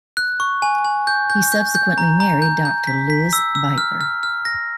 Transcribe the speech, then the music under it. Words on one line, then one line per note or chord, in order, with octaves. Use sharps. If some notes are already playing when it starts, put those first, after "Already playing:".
He subsequently married Doctor Liz Beightler.
F#6
C#6
G#5
G#5
G6
G6
G6
G6
A#5
A#5
G6
G6
B6
B6
E6
E6
F6
F6
F6
A#6